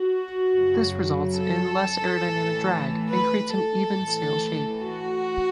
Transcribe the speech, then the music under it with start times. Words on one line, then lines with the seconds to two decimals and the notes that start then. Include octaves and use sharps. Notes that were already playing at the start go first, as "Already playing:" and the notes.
This results in less aerodynamic drag and creates an even sail shape.
Already playing: F#4
0.53 F#2 C#3 F#3
1.38 A4
2.24 A2 E3
3.11 B4
3.53 A4
3.96 A2 E3
4.82 F#4